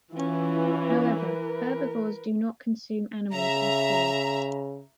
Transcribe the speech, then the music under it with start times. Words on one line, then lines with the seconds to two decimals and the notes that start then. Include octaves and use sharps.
However, herbivores do not consume animals as food.
0.15 E3 C#4 F4
1.17 A#4 B4
3.32 C#3 E5 A#5